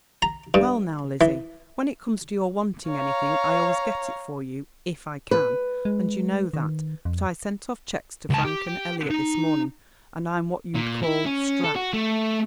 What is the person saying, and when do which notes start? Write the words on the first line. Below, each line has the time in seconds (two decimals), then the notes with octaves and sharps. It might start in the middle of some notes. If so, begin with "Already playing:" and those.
"Well, now, Lizzie, when it comes to your wanting anything I always get it for you--if I can; and you know that; but I sent off cheques to Frank and Elliot this morning, and I'm what you'd call strapped."
0.22 A#5
0.54 G2
1.21 E3
2.89 C#5 F5 A#5
5.31 B4
5.85 G#3
6.53 D#3
7.05 F2
8.30 C#2 A5
8.45 G4
9.11 D#4
10.75 A#2
11.03 E4
11.26 C#4
11.64 A4
11.76 F#4
11.93 A3